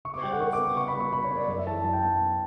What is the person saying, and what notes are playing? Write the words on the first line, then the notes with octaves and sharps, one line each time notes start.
Matters now moved rapidly.
C#3 C#6
D6
G3 G5
F#5
C#3 C#6
D6
B3
C#6
C#3 C#6
B5
G3
C#6
C#3 B5
C#5
B3
D5
F#2 D5
E5
E3 A5
F#2 A5
G5
B3 A5
F#2